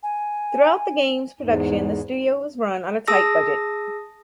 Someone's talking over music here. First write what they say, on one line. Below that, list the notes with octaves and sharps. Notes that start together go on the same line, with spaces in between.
Throughout the game's production, the studio was run on a tight budget.
G#5
E2 G#2
G#4 A5 D#6 E6 A#6